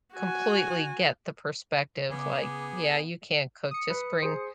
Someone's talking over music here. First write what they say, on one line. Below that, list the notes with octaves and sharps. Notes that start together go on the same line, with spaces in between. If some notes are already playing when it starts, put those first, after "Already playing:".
completely get the perspective, like, "Yeah, you can't cook, just bring
F#4 G#5
C#3 B3 G#4 D6
D#6 C#7
B4
G#4 C5